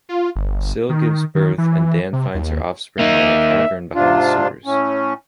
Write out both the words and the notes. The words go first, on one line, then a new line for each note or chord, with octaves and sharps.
Sil gives birth and Dan finds her offspring in a cavern behind the sewers.
F4
G1
D#3
D#3
E3
C3
D#2
A#3 D#4 E5
G#2 C3 D4 F4
A2 C#4